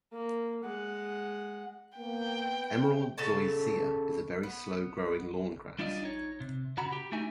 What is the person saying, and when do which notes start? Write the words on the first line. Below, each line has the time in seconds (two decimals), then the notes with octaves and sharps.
Emerald Zoysia is a very slow growing lawn grass.
0.13 A#3
0.64 G#3 F#5
1.98 A#3 B3 G5
2.74 C3
3.18 C#3 C#4 A4 A5
4.43 B3
5.79 G3 D4 E4 F4 D5 D#5
6.04 D#4 C#5
6.40 C3
6.77 C#3 F#4 F#5 A#5 B5
6.92 G4
7.12 A3 D4 D#4 F#4 E5 G#5